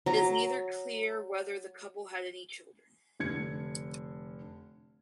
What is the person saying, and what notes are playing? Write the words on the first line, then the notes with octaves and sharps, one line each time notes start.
It is neither clear whether the couple had any children.
F#3 A#5
F1 D3 G#6 C#7